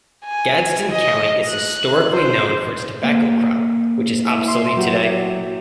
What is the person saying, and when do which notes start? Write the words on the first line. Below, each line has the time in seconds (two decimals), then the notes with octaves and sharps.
Gadsden County is historically known for its tobacco crop which is obsolete today.
0.25 G#5
0.92 D#5
1.49 F#6
2.12 C5
3.03 A#3
4.30 E4
4.48 C6
4.77 F#3 G4